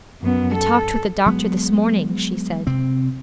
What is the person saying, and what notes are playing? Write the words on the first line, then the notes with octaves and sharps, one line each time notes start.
'I talked with the doctor this morning,' she said.
F#2 B3
A4
F#3 G#3 B3
C3 C4